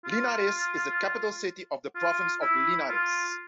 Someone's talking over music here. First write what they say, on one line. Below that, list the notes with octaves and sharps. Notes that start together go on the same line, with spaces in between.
Linares is the capital city of the province of Linares.
F4
F4
E4
F4